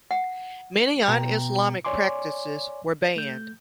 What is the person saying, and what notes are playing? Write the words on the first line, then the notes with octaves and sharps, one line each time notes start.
Many un-Islamic practices were banned.
F#5
B2 B3 G5 A#5
C#5 D5 G#5 C6 D6
A3 G6